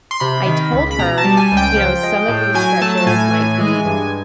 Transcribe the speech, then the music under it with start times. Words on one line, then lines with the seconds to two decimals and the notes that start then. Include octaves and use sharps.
I told her, you know, some of these stretches might be
0.11 C6
0.20 C3 B5
0.46 D#3
0.73 C#2
0.91 B5
0.99 B2 A#5
1.18 A5
1.24 G3
1.37 G#5
1.51 C#2
1.57 G5
1.76 F3
2.03 G#3
2.28 A2
2.55 F#3 G#5
2.74 G#5
2.81 A3 A5
2.97 A5
3.07 A2 G#5
3.34 E3
3.60 G#3
3.85 G2